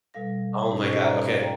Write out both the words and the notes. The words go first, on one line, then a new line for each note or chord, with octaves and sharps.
Oh my god. Okay.
B2 G3 A4 F5 A#6
G#2 B2 C#4 D#4 G4
G4 A4 C5 D#5 C#6
C5 D5 F#5 A#5
A4
D5 F5 G5 A#5